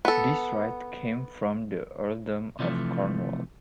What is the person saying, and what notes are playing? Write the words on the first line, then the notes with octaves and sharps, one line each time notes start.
This right came from the Earldom of Cornwall.
B3 A4
C3 E3 F3 A3